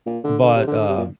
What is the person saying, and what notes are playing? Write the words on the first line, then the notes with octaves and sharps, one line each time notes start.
But, uh,
A#2
D3
D3
C3
D3
D3
C3
A#2